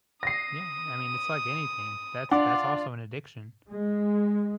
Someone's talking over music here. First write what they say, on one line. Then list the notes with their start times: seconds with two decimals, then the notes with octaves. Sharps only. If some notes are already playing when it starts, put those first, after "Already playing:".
Yeah, I mean, it's like anything, that's that's also an addiction.
0.23 D#6 A#6 C7
2.31 D4 F4 F#5 D6
3.71 G#3